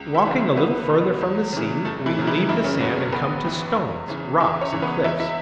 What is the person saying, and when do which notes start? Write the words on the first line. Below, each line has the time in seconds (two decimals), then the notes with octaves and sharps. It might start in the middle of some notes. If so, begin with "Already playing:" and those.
Walking a little farther from the sea, we leave the sand and come to stones, rocks and cliffs.
Already playing: C#2
0.14 E4 E5
0.25 C#3 E3
0.57 C#2 B3 B4
0.89 B2
1.21 E2
1.53 C#3 E3
1.85 F#1 A3 A4
2.06 E3 E4
2.17 F#2 C#3 E3
2.27 E3 E4
2.49 F#1 E3 E4
2.64 C#3 C#4
2.81 E2 B2 E3 B3
2.97 A3
3.12 A1 B3 B4
3.44 A2 E3
3.76 E2
4.08 C#3 E3
4.40 E2 E4 E5
4.61 C#4 C#5
4.72 C#3 E3
4.82 B3 B4
5.04 E2 E4 E5
5.20 E4 E5